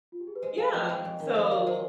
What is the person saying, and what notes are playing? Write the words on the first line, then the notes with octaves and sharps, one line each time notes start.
Yeah. So
F4
G4
G#4
B4
G#3 C5
G#3 F5 G#5
F2 D#5 G5
G#3 D#5 G5
F2
D#3
F3 C5 D#5
C4 D5 F5
G#3 C5 D#5